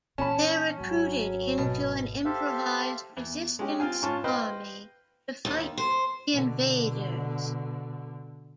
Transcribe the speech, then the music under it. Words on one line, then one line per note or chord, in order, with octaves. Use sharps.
They are recruited into an improvised resistance army to fight the invaders.
A#2 E3 C#4 A5 B5
G#1 G#2 F#3
B2
G4 A4 C5 E5 F5
E2
G#3 C#4 G4
C4 F4 F5 G#5
G#2 C#4 F4 G#5 A5 C#6
B4 C5 D#5 F5 G5
D#2
C5
B2 D3